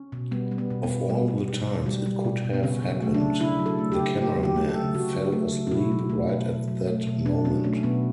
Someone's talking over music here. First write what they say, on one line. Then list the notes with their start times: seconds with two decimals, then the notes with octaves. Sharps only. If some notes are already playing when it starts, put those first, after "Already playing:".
Of all the times it could have happened, the cameraman fell asleep right at that moment.
Already playing: C#4
0.12 B2
0.32 G3 B3
0.51 G3
0.58 B3
0.71 B2
0.83 B3
0.90 B2
1.10 G3
1.28 G3
1.48 B2
1.67 B2
1.86 G3
2.06 G3
2.25 B2
2.45 B2
2.53 B3
2.63 C#3 C#4
2.82 F#3
2.89 C#4
3.02 A3
3.14 D4
3.21 C#3
3.40 C#3 E4
3.59 F#3
3.66 A4
3.78 A3
3.92 G4
3.99 C#3
4.18 C#3 G4
4.37 F#3
4.43 G4
4.56 A3
4.68 A4
4.75 C#3
4.95 C#3 F#4
5.14 F#3
5.32 A3
5.52 C#3
5.67 F#4
5.71 B2 E4
5.92 F#3
6.10 A3
6.29 B2
6.48 B2
6.68 F#3
6.87 A3
7.07 B2
7.26 B2 D4
7.45 F#3 C#4
7.64 A3 C#4
7.83 B2 B3